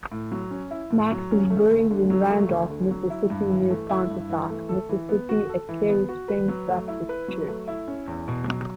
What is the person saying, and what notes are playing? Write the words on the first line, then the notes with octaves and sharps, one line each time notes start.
Max is buried in Randolph, Mississippi, near Pontotoc, Mississippi at Carey Springs Baptist Church.
A2
F#3
C#4
E4
A2
F#3
C#4
A3
D2
D3
F#3
A3
D2
D3
F#3
E4
G2
E3
A3
E4
G2
E3
A3
A4
E3
B3
F#4
A4
E3
B3
F#4
B4
F#3
A3
E4
B4
F#3
A3
E4
C#4
E2
B2
F#3